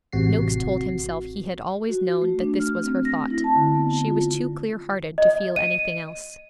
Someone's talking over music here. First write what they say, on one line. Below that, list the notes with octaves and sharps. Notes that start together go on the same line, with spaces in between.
Noakes told himself he had always known that this was her thought; she was too clear-hearted to feel anything else.
A1 C3 F#4 C7
F#4
A3
D4
F6
C4
A#6
E4
A5
D3
B3
F4
D#5
D#7